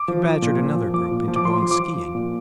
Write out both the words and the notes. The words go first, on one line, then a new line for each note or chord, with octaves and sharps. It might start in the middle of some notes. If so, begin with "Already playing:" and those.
She badgered another group into going skiing.
Already playing: D6
F3
F3
A#2
F3
F3
F3 D6
A#2
F3
D6
F3 C6
F3
D6
F3
F3
A#2